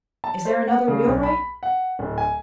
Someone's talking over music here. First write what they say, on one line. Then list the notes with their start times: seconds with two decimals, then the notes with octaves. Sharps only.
"Is there another wheelwright?"
0.24 A5
0.45 C5
0.67 F#5
0.88 C#3
1.07 B1
1.23 B5
1.63 F#5
1.99 D1
2.18 G#5